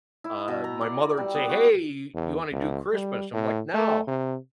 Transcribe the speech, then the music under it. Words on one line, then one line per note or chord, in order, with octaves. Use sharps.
uh, my mother would say, "Hey, you wanna do Christmas?" I'm like, "No,
E4
B2
A#5
D5
G3
B3
F#4
E2
C#2
G3
A2
A3
C3